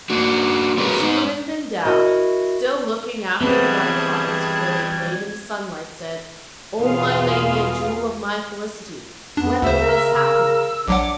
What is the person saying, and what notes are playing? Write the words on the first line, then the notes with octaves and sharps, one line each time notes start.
And Suleiman-bin-Daoud, still looking after the Butterflies where they played in the sunlight, said, 'O my Lady and Jewel of my Felicity, when did this happen?
A#3 D4 F#4
B3 C#4 F#4 G#4 A#4 B4
G#3 D#4
E4 F#4 A#4 D#5
E3 G3 B3 C4 G#4 A5 B5 G#6
E2 B2 B3 F4 G#4 F5
F2 B3 D4
D2 C#3 C5 E5
A#4
C#3 E6
A#1 F#3 D4 F#5 D6